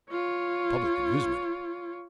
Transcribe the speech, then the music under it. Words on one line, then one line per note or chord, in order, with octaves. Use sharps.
'Public amusement?
F4 C#5